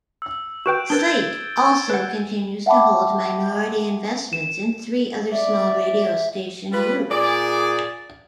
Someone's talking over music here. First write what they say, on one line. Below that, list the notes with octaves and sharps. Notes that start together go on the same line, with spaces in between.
Slaight also continues to hold minority investments in three other small radio station groups.
E6
F#4 B4 G5 G6 D7 E7
D4 A#4 B4 G#6 A6 G7
B4 F#5
E5 F#5 G5 A5 B5 D6
E7
D5 E5
G3 F4 B4
A#2 G#4 D5